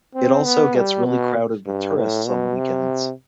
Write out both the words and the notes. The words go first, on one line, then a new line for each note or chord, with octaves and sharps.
It is also gets really crowded with tourists on the weekends.
C4
B3
G3
B2
G2
A2
B2
C3